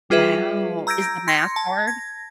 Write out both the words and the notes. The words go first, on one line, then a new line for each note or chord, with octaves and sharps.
Wow, is the math hard?
G3 F4 G#4 B4 E5
A#5 E6 G6 G#6 A#6 D7
C6 G#6 A#6 C#7
A5
G#6 A#6